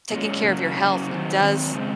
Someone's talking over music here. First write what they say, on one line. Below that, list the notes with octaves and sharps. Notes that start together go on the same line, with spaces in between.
taking care of your health does
A#2 G#3 C#4
C#3 F#3 A#3
C#3 F#3 A#3
D#3 F#3 C4
D#3 F#3 C4
C#3 G#3 C4